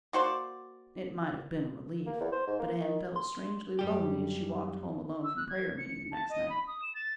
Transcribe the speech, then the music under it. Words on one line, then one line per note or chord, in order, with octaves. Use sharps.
It might have been a relief, but Anne felt strangely lonely as she walked home alone from prayer meeting the next night.
A#3 F#4 C5 D5
A#3
E2
C5
G#2
A#3
D#3
C6
F#2 G3 G4
E6
F#6
G#6
C#7
A5
D#5
B5
D#6
E7
A6